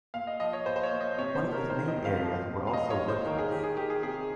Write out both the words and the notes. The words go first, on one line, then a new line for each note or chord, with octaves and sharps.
One of his main areas were also woodcuts.
A#2 F5
D#5
F3 D#5
C#5
A#2 C5
C5
C#5
A#2
D#5
C3 C#5
C5
C3
A#4
D#3 C5
D#5
C3
F5
F3
A#2
F5
A#2 D#5
C#5
A#2
C5
D#3 A#4
G#4
D#3 G4
G#4
D#3 G4
G#4
C3 G#4